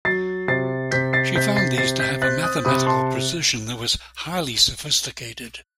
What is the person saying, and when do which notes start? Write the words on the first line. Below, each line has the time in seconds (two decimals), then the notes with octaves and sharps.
She found these to have a mathematical precision that was highly sophisticated.
0.05 F#3 A6 C7
0.48 C3 A6 C7
0.91 C3 G6 B6
1.13 A6 C7
1.35 C3 G6 B6
1.56 A6 C7
1.78 C3 A6 C7
2.00 G6 B6
2.22 C4 F#6 A6
2.43 D#6 F#6
2.65 C3 B5 D#6
2.86 A5 C6